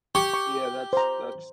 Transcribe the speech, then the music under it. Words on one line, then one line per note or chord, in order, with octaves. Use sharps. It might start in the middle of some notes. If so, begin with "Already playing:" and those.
Yeah, that's that's
G4 C#6
C#6
C5 A#5